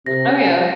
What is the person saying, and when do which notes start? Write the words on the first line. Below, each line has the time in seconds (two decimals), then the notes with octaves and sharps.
M oh, yeah.
0.06 C3 A#6
0.27 C#4
0.49 F3